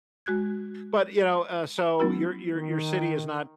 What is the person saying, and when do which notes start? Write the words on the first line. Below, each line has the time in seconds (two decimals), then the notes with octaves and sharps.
but, you know uh, so your your your city is not,
0.26 G#3 F#4 F#6 G#6
1.99 F#3 A3 B3 C#4 E4 F#4
2.55 D#3